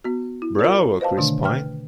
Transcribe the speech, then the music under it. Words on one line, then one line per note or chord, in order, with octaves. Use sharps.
Bravo, Chris Pine!
B3 F#4
E4
F4 A#4 D5
B4 C5 D#5 F5 A5
B2 D3 D#3 A3 D4
B4 G5 F6